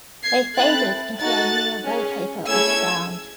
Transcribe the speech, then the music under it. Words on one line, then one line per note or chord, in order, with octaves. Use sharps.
They faded into a mere wallpaper of sound.
G#6 C7
C4 E4 A4 F#6 A6
D#4 F#4 A4 F#6 A6
C#4 G#4
A3 C#4 E4 G#4 E6 G#6